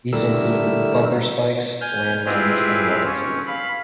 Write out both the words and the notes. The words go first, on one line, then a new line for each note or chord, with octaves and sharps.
These include bumper spikes, land mines and rocket fuel.
D3 G3 A3 E4 A#4 E6
G#5 F6 G6
C4 E4 F4 G4 G#4 B4
C#4
F5 B5